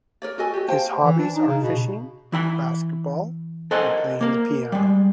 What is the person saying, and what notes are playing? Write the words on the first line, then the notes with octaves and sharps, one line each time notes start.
His hobbies are fishing, basketball, and playing the piano.
A#4 C#5 D5
F#4 A4 D#5 G#5
F#4 G4
C5 F5 G5 A5
E3
D4
D#4
C#3
B2
E3 E4 G#5 B5
A4 A#4 C5 D#5 F#5 G#5
A#3 A#4
G3 G#3